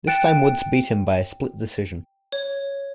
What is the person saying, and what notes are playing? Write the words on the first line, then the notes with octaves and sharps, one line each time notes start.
This time Woods beat him by a split decision.
G5 F#6 A6 C#7 E7
C#5